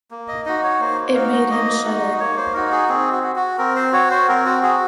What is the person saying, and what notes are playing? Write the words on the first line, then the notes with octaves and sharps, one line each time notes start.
It made him shudder.
A#3
D#5
D#4 F#4 D#5
C#5
A#3 C5
D#4 F#4 F5
D#5
A#3 D#5
D#4 F#4
A#3 C#5
C5
D#4 F#4 A#4
G#4
C4 G#4
F#4
F#4
F#4
C4 A#4
C5
F#4 C#5
C5
C4 A#4
F#4
F#4 G#4